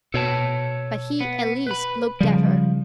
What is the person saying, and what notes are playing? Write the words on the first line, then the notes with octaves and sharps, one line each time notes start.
But he at least looked at her.
B2 A4 C#5 A5
B3
B4 B5
C#3 F3 G3